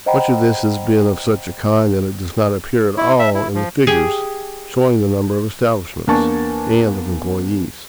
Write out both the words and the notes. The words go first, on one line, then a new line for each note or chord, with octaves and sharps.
Much of this has been of such a kind that it does not appear at all in the figures showing the number of establishments and of employees.
C5 D#5 F#5 G5 A#5 B5
E4
E5
E4
F3
G4 G#4 G#5
E2 A#3 D4 G#5 A5 C#6